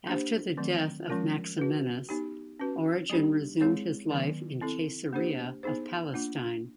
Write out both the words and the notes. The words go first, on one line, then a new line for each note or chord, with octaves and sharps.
After the death of Maximinus, Origen resumed his life in Caesarea of Palestine.
A#3 D4 G4 C5
D#3 F#3 A3 C4
F3 G#3 C#4 F4 A#4
C#4 F#4 B4
B3 D#4 G4
C#4 F#4 B4
G3 B3 D4 G4
G#3 C4 E4 G#4 C#5
D#3 F#3 B3
C4 E4 A4
A#3 D4 G4 C5
B3 D#4 G#4 C5
A#3 D4 F4